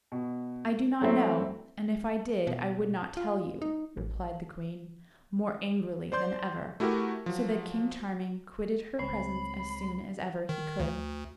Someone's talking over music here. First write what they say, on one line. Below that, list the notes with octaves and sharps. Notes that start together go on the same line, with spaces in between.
"I do not know; and if I did, I would not tell you," replied the queen, more angrily than ever; so that King Charming quitted her presence as soon as ever he could.
B2
F#3 A3 C4 E4
B2
F4
D#4
A1
C5 D5 C6 G6
A3 E4 F#4 G4 A#4
F3 F#3
C#2 G#3 C4 C#5 B5 C7
D#3
D2